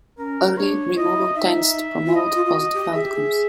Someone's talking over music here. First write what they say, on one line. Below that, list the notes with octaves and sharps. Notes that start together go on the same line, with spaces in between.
Early removal tends to promote positive outcomes.
C#4 A#4
D4 C#5
E4 D#5
D#4 E5
F4
E4 D#5
F4
F4
F#4 D#5
G4
G#4 E5
G4
G#4